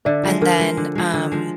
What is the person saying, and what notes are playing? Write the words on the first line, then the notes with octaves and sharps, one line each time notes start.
And then, um,
D3 D5 E5
F3 G#3
D3 A#4
F3 G#3
D3
F3 G#3
D3
F3 G#3